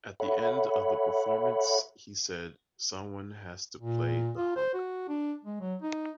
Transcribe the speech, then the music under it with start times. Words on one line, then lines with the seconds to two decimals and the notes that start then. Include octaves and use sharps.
At the end of the performance, he said: "Someone has to play the hunk".
0.20 A4 C#5 E5 F#5 B5
3.80 A#2
4.38 F4
4.56 C5
4.74 F#4
5.09 D4
5.45 G#3
5.61 F#3
5.82 D#4